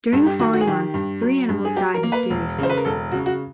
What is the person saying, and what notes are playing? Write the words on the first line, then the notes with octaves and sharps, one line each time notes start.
During the following months, three animals died mysteriously.
G2 A4
G4
D#3 F#4
F#4
G#4
D#3 G4
G2
F#3
G2
G#4
F#3 G4
A#4
A#3
B4
E1
C#3 C5
B4
A#4
E1 A4
C#3 F#4
F#4